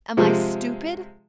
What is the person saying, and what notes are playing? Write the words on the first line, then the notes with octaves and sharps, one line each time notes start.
Am I stupid?
C3 F3 G#3